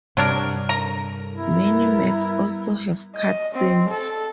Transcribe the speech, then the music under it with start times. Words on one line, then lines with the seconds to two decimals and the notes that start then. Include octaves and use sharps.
Many maps also have cut scenes.
0.17 G2 C3 F#3 D4 A#4
0.69 D3 A#4 A#5
1.35 G3 B3 E4 A#4
3.16 D#5
3.54 C4
3.89 A4